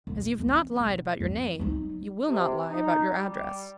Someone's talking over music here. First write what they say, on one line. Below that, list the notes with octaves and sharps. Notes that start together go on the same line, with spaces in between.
As you have not lied about your name, you will not lie about your address.
E1
E3 C4
B2
F2
F#3 D#4
C3
D#4
G3